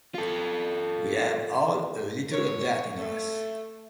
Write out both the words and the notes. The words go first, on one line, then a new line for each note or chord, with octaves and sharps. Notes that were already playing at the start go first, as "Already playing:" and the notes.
We all have a little of that in us.
F4 A4
C#5
A3